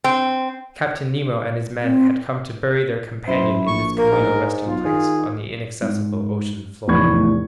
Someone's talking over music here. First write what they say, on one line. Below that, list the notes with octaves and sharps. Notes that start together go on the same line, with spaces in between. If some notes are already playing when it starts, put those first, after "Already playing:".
Captain Nemo and his men had come to bury their companion in this communal resting place on the inaccessible ocean floor!
C4
C4
F#2 E4 C5
A#1 C#6
A#3 A#4
G#2
B1 F4
D#3 G#4
G#2
F1 E2 A2 B5 C#6 G#6